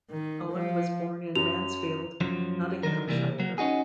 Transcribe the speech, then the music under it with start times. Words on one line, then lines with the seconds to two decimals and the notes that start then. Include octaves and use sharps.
Owen was born in Mansfield, Nottinghamshire.
0.10 D#3
0.52 F3
1.36 F#2 F7
2.21 F#2 F3 F#3
2.83 D3 D#3 F#3 A#4
3.08 C3 E3 G3 A#3
3.39 F#3 A#3
3.58 C#4 D#4 F#4 G#4